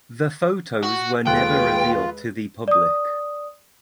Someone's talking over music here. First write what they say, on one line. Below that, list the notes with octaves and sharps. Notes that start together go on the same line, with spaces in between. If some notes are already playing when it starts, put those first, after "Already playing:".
The photos were never revealed to the public.
F#4
D#2 G#3 F4 A4 B4 G5 F#6
D5 D#6